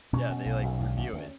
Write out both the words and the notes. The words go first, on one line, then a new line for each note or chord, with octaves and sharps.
Yeah, they, like, review it.
B2 C#4
B2
B1
B1
D2
D2
D2